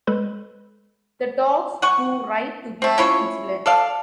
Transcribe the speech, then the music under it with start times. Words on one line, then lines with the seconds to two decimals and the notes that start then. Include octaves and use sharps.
The dogs do right to be vigilant.
0.07 G#3 A4 B4 B5
1.82 F#5 G#5 C#6
2.82 A3 C4
2.98 C#4 E4 F4 C#5
3.66 A4 D5 F5